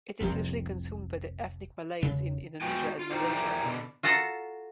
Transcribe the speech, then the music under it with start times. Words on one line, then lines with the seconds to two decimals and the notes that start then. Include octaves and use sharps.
It is usually consumed by the ethnic Malays in Indonesia and Malaysia.
0.20 F1 C2 C3 F3
2.02 E1 C#3
2.62 G#3 B3 F#4 G5 G#5
2.99 F4
3.12 D4 D#4 F4 G4 C5 F#5
3.29 F3 E4 G4 G#4 A#4 D5
3.64 B2 D3
4.03 F4 F#4 A4 F#5 A#5